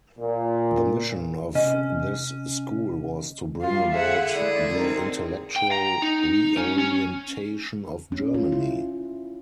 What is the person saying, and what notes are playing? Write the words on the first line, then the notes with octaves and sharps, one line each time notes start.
The mission of this school was to bring about the intellectual reorientation of Germany.
A#2
C3 C#4 D#5
G3 F4 F5
D3 G#4 E5 F#5
G#3 E4 D5
C4 D#4 A#4
G5
A#5
D#4
C#4
C#4
C#4
F4
E4